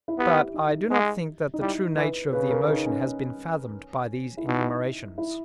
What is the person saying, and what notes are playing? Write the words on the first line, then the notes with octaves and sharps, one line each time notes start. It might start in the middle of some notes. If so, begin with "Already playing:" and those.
But I do not think that the true nature of the emotion has been fathomed by these enumerations.
E4
B3 G4
D#4
G#3
D#4
G3 E4
E3 B4
C#3 B4
A#4
D#4
C#4
E4
B2 D#4
E4